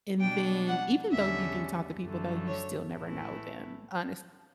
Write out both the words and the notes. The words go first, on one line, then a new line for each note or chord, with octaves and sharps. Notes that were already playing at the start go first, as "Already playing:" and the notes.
and then even though you do talk to people, though, you still never know them, honestly.
B2 G3 D4 G5
F#5
E2 D3 G3 C#4 E5
F#2 D3 A3
C#5
A2 E3 A3 E4